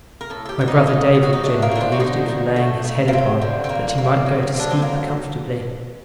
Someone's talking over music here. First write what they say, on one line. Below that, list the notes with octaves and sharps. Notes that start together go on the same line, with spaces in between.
My brother David generally used it for laying his head upon, that he might go to sleep comfortably.
A#4
A2 A4
A4
G4
F#3 D4
D#4
F#3 D#4
A2
F#4
D#4
A3 D4
A#3
D3 D4
C4
F#4
D3 D#4
D3
A3
A3
A#3
F#3 C4
D3
C4
D3 A#3
D3 A#3
F#3
D3
D4
C4
F#3 A#3